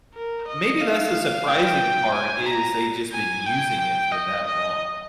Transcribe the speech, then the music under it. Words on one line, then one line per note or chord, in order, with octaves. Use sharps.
Maybe that's the surprising part is they just been using it for that long.
A#4
D#5
F5
G5
G#5
A#5
G#5
G5
G5
D#5
D#5